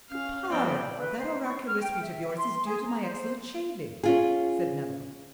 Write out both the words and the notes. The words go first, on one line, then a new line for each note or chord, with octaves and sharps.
"Caparra, that oracular speech of yours is due to my excellent shaving," said Nello.
C#4 F5
G2 F3 B3 C4 D5 G5
B4
C5
C#6
F6
G5
E5
E5
C6
G#4
A#5
C5
C#4 F4 G#4